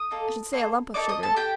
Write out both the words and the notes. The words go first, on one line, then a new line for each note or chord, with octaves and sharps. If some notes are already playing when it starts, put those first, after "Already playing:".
I should say a lump of sugar.
Already playing: D#6
A#3 D#4 A4
A#3 D#4 A4
A#3 D#4 A4 D5 D6
D#5 D#6
A4 A5
G4 A4 G5